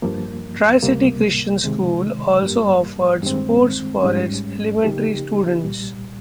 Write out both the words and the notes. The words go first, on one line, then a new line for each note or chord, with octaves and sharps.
Tri-City Christian School also offers sports for its elementary students.
G2 F3 A#3
C#2 C3 G3 A#3
C2 C3 D#3 G#3
G2 G3 A#3
G2 D#3 G#3 C4
G#2 G3 C#4
C#3 F3 A#3 D#4 G4
C2 A#2 G3